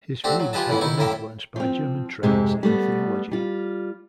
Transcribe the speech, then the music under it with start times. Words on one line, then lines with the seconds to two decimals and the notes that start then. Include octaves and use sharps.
His views had been influenced by German trends in theology.
0.24 A3 C4 D4 F#4 G4
0.40 F#3
0.53 F4 G4 G#4 B4 D#5 A5
0.68 E2 A2 C#3 E3 B3
0.81 D#3 D#4 E4 C#6
0.98 F#2 A2 A#3 A#4 E5 G5
1.56 F3 C4
2.23 F2 G#2 C3 G#3
2.63 G3 A3 B3
3.31 G3 F4